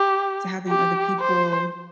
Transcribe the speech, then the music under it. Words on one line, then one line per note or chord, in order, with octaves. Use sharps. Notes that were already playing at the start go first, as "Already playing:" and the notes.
to having other people
Already playing: G4
G4
C5